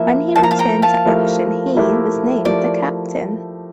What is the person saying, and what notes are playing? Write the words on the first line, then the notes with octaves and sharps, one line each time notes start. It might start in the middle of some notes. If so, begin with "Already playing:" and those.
When he returned to action he was named the captain.
Already playing: F3 A#3 E4 E5
F3 A#3 E4 A5
A#5
F5 A5
G5 A#5
F5 A5
F3 A3 E4 G4 A#4
F3 A3 E4 G4 A#4
F3 A3 E4 G4 A#4 D5